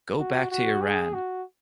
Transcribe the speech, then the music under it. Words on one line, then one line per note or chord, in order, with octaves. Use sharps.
Go back to Iran!
F#4
F#4
G#4
F#4